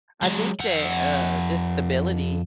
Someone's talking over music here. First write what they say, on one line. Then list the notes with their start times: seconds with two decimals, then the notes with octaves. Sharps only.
I think that, uh, just stability,
0.22 F#3 G#3
0.60 F2 F#5